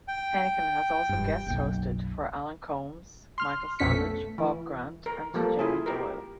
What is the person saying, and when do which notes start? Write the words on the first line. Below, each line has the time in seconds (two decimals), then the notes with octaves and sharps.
Henican has also guest-hosted for Alan Colmes, Michael Savage, Bob Grant and Jerry Doyle.
0.08 G5
1.09 E1 G2
1.47 F#1 B1
3.38 C6 F6
3.79 A#1 F2 B2 C#4 B6 C#7
3.92 A3
4.38 E3
5.06 A#4
5.34 F3 G3 A#3 A4
5.59 E4 F4 G#4
5.86 G4 A#4